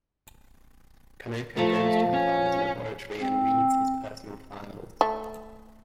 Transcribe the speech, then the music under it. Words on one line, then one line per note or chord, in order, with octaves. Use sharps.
Konoko goes to her father's laboratory and reads his personal files.
F3 A3 A5 A#5
C#4
C4
A3